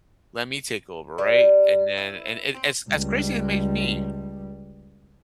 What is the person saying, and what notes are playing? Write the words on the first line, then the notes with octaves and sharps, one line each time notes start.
let me take over," right, and then and it as as crazy as it may be.
G3
E4
C4
C#2 G3